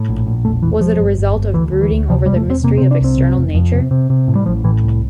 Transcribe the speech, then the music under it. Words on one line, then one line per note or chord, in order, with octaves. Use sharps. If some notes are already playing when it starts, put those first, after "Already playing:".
Was it a result of brooding over the mystery of external nature?
Already playing: A2
A#1
A#1
E1 A3
E1 E3
E1 F3
G1
G1
G1
D2 E3
D2
E3
D2
C3 F3
E1 G3
A3
E1 C4
C3 A#3
C4
C3
D4
C2 C4
C3
F1
F2
C3
C3
C3
A2
G3
A1 F3
A2 E3
C2